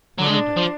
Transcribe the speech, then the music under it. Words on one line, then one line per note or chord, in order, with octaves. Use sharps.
Not a bit.
F#3
G#3 D4
F3